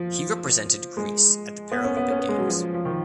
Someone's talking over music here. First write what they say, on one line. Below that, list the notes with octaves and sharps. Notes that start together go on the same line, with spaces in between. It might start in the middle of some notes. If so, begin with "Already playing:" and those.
He represented Greece at the Paralympic Games.
Already playing: F3
G#3
B3
C#4
B3
C#4
B3
G#3
F#3
F3
F3
D#3